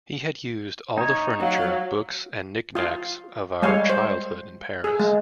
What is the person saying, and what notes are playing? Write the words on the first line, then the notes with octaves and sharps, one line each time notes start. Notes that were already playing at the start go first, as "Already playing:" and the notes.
He had used all the furniture, books and knick-knacks of our childhood in Paris.
D#4 C#5
F#3 F5
F4 F5
G3 G#3 C#5 F5
C5
G#4
G#3